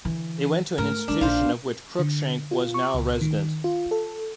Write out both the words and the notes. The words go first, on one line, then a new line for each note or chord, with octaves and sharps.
They went to an institution of which Crookshank was now a resident.
D3 E3
G#2 A3 A#4
C#3 G#3 D4
A#1 C5 F5
D3
F4
C#6
C#2
D#3
F4
A4